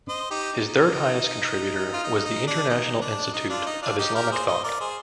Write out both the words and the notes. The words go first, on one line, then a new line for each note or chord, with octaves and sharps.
His third-highest contributor was the International Institute of Islamic Thought.
C5 D#5
D#4 G4
D#4
F4
D#4
D#4
D4
D#4
D4
D#4
D4 F4
D#4
D4 F4
D#4 G4
G4 A#4
G#4 C5
C5 D#5
A#4 D5
G#4 C5